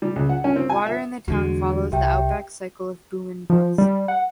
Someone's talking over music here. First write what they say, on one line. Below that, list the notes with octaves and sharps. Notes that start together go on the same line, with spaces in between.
Water in the town follows the outback cycle of boom and bust.
G3
C#2
F#5
C#4
C4
G#5
E5
E2 D3 G#3 F#4
C2 G4 E5 G5
F3
G3
F#5